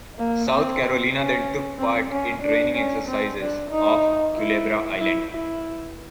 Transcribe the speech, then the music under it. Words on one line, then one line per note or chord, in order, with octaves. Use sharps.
"South Carolina" then took part in training exercises off Culebra Island.
A#3
C4
C#4
C4
C#4
D4
C#4
C4
D4
D#4
E4
E4
E4